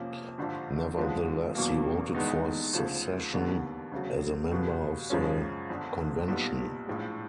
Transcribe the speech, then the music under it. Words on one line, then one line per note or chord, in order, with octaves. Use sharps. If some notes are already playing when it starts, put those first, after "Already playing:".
Nevertheless, he voted for secession as a member of the convention.
Already playing: F2 C3 F3 A#3 C#4
G#1 G2 D3 F3
F2 D3 F3 G#3 B3
E1 E2 B2 F#3 A#3
G2 D#3 G#3 B3 D#4
D2 C#3 F3
E1 D#2 D3 G3 B3
D2 C#3 F#3
C#2 B2 G3 B3
F#2 C#3 F3 G#3 C#4
G1 F2 D3
B1 A#2 G3 B3
A#1 A2 F3 G#3